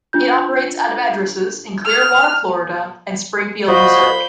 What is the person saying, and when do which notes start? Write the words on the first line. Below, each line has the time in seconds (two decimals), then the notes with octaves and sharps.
It operates out of addresses in Clearwater, Florida, and Springfield, Missouri.
0.13 D4 F4 G6
1.85 F6
3.68 F3 F#4 C5 D5 D#5 B5 G6